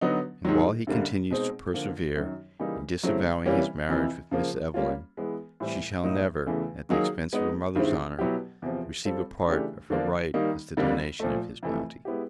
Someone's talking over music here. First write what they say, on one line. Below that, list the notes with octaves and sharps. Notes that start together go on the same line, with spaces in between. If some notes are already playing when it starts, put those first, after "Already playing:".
And while he continues to persevere in disavowing his marriage with Miss Evelyn, she shall never, at the expense of her mother's honour, receive a part of her right as the donation of his bounty.
D3 F#3 B3 D#4
G#2 D#3 F#3
F#2 D3 G3 A#3
B2 G#3 C4 D#4 G#4
D3 F3 A#3
F#2 D#3 F#3
C#3 E3 G3 A#3 D#4
C#3 F#3 A3 C4 E4
C3 E3 G3 A#3 C#4
F2 C3 E3
C#3 F3 A#3
G3 A#3 C#4 F4
E3 G#3 B3
A2 E3 G3 C4
A2 F#3 A#3 D#4
E2 C#3 E3 A3
D#3 F#3 A#3 D#4 G#4
G#3 B3 D#4
G2 D#3 G#3 C4 E4
B2 F#3 B3 E4 G4
E2 C3 F3
G3 C4 F4 A4
C#3 E3 A3 D4 G4
D3 F3 A#3 D4
D#3 G3 A#3 D#4
F2 D3 G3 A#3 D4
A#2 F3 A3
F2 C3 E3 A3
G#3 B3 E4 G4